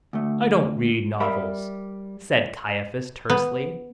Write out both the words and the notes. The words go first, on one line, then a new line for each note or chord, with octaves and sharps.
"I don't read novels," said Caiaphas tersely.
D2 A3
G3 A#4 E5 B5
B3